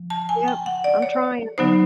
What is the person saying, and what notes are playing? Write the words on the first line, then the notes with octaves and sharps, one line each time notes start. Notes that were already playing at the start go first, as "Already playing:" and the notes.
Yep, I'm trying.
Already playing: F3
A5
G#5
G5
F#5
D5
C#5
D3 F#3 B3 D#4 C5